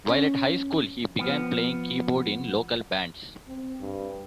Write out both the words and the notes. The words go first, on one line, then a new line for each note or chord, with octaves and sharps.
While at high school he began playing keyboard in local bands.
C#4
F3 B3
C4
G2